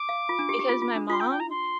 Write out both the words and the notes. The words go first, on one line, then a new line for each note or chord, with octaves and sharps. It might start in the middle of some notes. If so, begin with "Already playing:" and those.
because my mom
Already playing: D6
F5
F4
D4
G4
G4
F4
F4
D4
F4 C6
G5
G5
A#5
C6